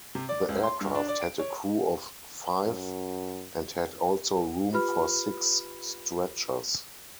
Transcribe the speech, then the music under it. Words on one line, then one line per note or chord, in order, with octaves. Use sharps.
The aircraft had a crew of five and had also room for six stretchers.
C3
D5
C#2
C6
G2
D4
D5
D7
C#5
F#2
F4 G4 B4 B5 F6